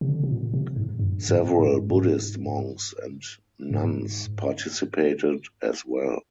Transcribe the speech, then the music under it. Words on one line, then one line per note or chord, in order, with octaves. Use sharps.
Several Buddhist monks and nuns participated as well.
C3
D3
C3
A#2
C3
G#2
G2
G#2
G#2
G#2
G#2